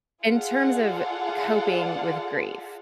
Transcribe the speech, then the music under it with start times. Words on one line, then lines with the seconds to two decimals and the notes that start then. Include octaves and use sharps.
in terms of coping with grief-
0.22 F4 G#4 A4 D5 F5 F#5